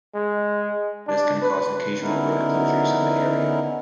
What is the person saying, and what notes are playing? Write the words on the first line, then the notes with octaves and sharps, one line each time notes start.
This can cause occasional road closures in the area.
G#3
D4
B4
D3 B3 C#4 D#4 E4 A#4